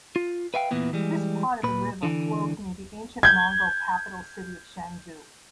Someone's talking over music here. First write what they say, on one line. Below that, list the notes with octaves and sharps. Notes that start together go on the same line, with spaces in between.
This part of the river flows near the ancient Mongol capital city of Shangdu.
F4
B4 E5 F5 G5
E2 A#2 E3 B3 E4
E3 G3 G#3
A#2 B4
D3 E3
G6 G#6